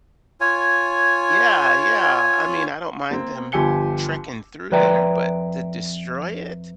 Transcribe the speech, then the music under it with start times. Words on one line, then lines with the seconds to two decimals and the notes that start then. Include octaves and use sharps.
Yeah, yeah, I mean, I don't mind them trekking through there, but to destroy it?
0.41 F4 C#5 G#5
3.11 A#3 C4
3.52 G1 F3 G4 G#5 C#7 G7
4.72 F2 B4 D5 E5 G5 A#5